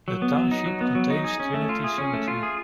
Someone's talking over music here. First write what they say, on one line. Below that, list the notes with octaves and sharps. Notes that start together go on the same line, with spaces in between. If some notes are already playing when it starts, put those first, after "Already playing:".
The township contains Trinity Cemetery.
F#3
B3
F#3
D#4
F#3
B3
F#3
D#4
G#4
C#4
A3
F4
G#4
C#4
A3
F4
G#4